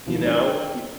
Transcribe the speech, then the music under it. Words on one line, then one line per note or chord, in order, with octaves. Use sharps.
you know, i
E1 D#2 F3 E4
D4 E4 A#4 C#5
G5